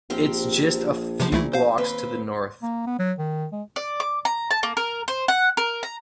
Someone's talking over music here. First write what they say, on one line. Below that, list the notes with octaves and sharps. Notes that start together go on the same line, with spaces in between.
It’s just a few blocks to the North.
A#1 C4 G4 A#4
A2 C3 F3 C5
C2 A#2 A3 E4
C5 F5
D#2 C4 B4
A#3
B3
F#3
D#3
G#3
D5
D6
A#5
A5
A#3
A#4
C5
F#5
A#4
A#5